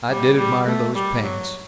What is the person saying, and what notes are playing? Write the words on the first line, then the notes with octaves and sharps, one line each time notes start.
I did admire those pants.
G3
G3
A3
G3
F#3